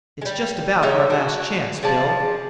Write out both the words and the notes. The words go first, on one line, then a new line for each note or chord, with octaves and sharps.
It's just about our last chance, Bill.
G3 G#3
C#3 D#4 E5
D4 F#4
F3 G#4 D5 A5